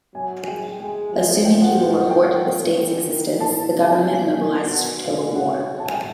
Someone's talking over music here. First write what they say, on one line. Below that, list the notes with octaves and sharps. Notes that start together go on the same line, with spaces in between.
Assuming he will report the state's existence, the government mobilizes for total war.
F#3 G#5
G#3 G5
G#3 G#5
F3
F3 G5
F#5
G5
F#5
G5
E3
D#3
E3 A5
C3
C3 G#5
B2
B2 F#5
F5
F#5
A5
G#5
G5